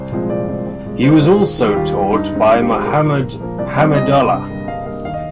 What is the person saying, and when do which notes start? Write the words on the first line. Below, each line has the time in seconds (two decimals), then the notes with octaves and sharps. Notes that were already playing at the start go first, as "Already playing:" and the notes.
He was also taught by Muhammad Hamidullah.
Already playing: C2 C5
0.12 A#2 F3 G#3 C4
0.29 C2 D5
0.48 A#2 F3 G#3 C4
0.67 C2
0.85 A#2 G#3
1.03 C2 C5
1.12 D#4
1.21 A#2 G#3 F4
1.30 G#4
1.40 D#2
1.58 D#3 G3
1.68 G4
1.76 D#2 F4
1.95 D#3 G3
2.12 G2 D#4
2.31 D3 G#3 C4
2.49 G2 F4
2.61 G4
2.67 D3 G#3 C4
2.74 G#4
2.85 A#2 A#4
3.04 F3 A#3
3.23 A#2
3.40 F3 A#3
3.58 C2 D5
3.77 C3 G3 C4
3.95 C2 D#5
4.13 C3 G3 C4
4.32 G2
4.50 D3 G3 A#3
4.68 G2 F5
4.86 D3 G3 A#3 F5
5.05 D#2 F5
5.14 D#5